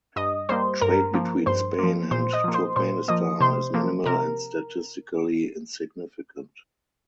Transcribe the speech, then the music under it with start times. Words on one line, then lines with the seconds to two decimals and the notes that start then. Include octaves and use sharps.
Trade between Spain and Turkmenistan is minimal and statistically insignificant.
0.16 G2 D#5 D#6
0.49 G3 A#3 C5 C6
0.81 G2 A#4 A#5
1.14 F3 A#3
1.46 G2 C5 C6
1.79 F3 A#3
2.11 A#2 C5 C6
2.32 D#5 D#6
2.44 F3 A#3
2.54 C5 C6
2.76 A#2 C5 C6
3.08 F3 A#3 D#5 D#6
3.40 C3 C5 C6
3.74 F3 A#3
4.06 C3 A#4 A#5